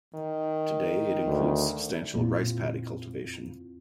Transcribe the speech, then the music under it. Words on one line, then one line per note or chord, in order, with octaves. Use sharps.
Today, it includes substantial rice paddy cultivation.
D#3
D2
F2 A#2 C4 E4 F4